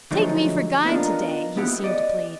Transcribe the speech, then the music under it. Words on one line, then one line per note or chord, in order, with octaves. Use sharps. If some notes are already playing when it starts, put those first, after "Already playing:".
"Take me for guide to-day," he seemed to plead.
D3 F3 F#3 G#3 A3 D#4
B3 D4 D#4 F4 A#4
B3 E4 G4 F#5
D5 D#5